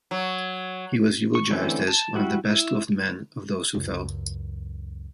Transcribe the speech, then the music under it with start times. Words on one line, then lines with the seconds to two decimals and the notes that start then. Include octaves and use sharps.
He was eulogised as "one of the best loved men of those who fell".
0.11 F#3
1.35 C#6
1.51 D3 E3 A3 C4 C#4
1.88 A5
2.15 G3 E4 F#4
2.45 E4
3.74 C#2 F#2